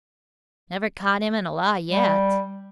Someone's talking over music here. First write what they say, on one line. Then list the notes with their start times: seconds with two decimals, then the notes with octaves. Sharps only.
Never caught him in a lie yet.
1.92 G3